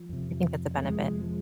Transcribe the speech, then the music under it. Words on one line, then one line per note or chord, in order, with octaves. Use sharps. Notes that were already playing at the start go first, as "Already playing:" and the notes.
I think that's a benefit.
Already playing: F3
F2 C3
A#3
F2 C3 F3 G#3
F3 G#3